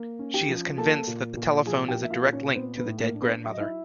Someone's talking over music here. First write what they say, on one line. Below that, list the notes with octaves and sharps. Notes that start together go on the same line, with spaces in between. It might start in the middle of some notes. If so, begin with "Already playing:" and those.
She is convinced that the telephone is a direct link to the dead grandmother.
Already playing: A#3
C#4
G4 G5
F3
A#3 A4 A5
A#2
A#2
F3 G#4 G#5
G4 G5
A#3
E5
F4 F5
A#2
C#4 C#5
B3 C4 C5
B3 B4
A2
A#3 A#4
D4
B3 B4
F#3 E5
D#5
E4 E5